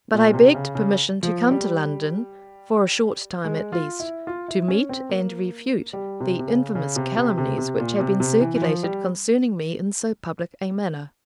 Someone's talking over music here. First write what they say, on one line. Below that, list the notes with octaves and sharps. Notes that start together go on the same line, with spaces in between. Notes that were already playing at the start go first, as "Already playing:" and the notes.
But I begged permission to come to London, for a short time at least, to meet and refute the infamous calumnies which had been circulated concerning me in so public a manner.
A#2
C3
C#3
C#3
F3
G3
G#3
F4
E4
F4
E4
C#4
C4
A#3
G3
C3
C3
C#3
C#3
C3
C3
C3
C3
A#2
C3
C3
E3
E3
F3
G3